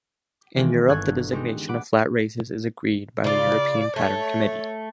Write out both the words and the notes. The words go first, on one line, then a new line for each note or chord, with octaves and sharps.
In Europe the designation of flat races is agreed by the European Pattern Committee.
D#3 E3 G#3 C4 F4
G1 B3 A4 C#6 F#6 G#6
G#3 B3 C4 D#4 F#4 G4
F#5 B5 D6 D7
C#3 F4 D5
A3 C#5